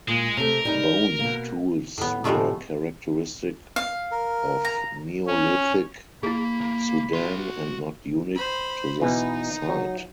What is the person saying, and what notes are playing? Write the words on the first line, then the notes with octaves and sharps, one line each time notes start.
Bone tools were characteristic of Neolithic Sudan and not unique to this site.
A#2 G#3
C3 A3 A#4
G3 D#4
B2 A#3
A2 B3
A2 C3 F3 G#3 A3 B3
F5
A#4
A#5
C#4
A#3 E4 G#4 B5
A#3
F#4 C6
C5 B5
B2 E3 B3 D#4
F#3